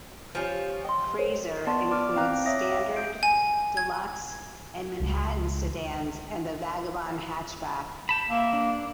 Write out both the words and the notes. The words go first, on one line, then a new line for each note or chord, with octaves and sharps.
Frazer includes Standard, Deluxe and Manhattan sedans and the Vagabond hatchback.
F3 G3 C#4
D#5 G5 C6
A#4 C5 C#5
B3 D5 A5 C6
D5 D6 F6
C4 F5 G5 A#5 F#6
C#5 E5 D6 D#6 A#6
F5
G#4 G6 D7
G#5
G#6
C#2 G#3
G5 A5 B5
A#3 E5
D4